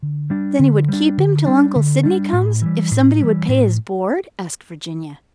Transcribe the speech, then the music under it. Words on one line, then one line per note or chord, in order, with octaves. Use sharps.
"Then he would keep him till Uncle Sydney comes, if somebody would pay his board?" asked Virginia.
D3
G3 D4
D3
G3 D4
D3
G3 D4
D3
G3 D4
A2
E3 G3
A2
E3 G3
A2